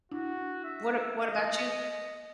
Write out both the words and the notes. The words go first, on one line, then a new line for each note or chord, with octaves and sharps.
What a what about you?
D4 E4 F#4
E5
D#5